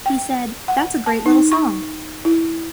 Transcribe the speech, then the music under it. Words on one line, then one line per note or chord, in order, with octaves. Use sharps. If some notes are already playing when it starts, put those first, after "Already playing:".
He said: 'That's a great little song.
G5
F#5
A5
D#4
C#6
E4